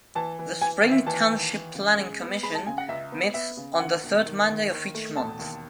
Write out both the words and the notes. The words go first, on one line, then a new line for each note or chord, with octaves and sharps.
The Spring Township Planning Commission meets on the third Monday of each month.
E3 A5
E3
E3 G#5
D#2
E5
E3 A5
D#2
E3
C#3
G#3
B3
G#3 B5
A5
C#3 G#5
F#5
C#2 E5
B3
B3 E5
C#3
D#3 F#5
E1
D#3
D#2
D#3
A3
E1 A5
D#2